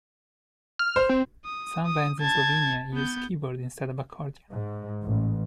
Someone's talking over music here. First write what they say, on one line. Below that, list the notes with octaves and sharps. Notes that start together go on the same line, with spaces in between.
Some bands in Slovenia use keyboard instead of accordion.
F6
C5
C4
D#6
D#6
A5 G#6
B3 G6
G#2
A1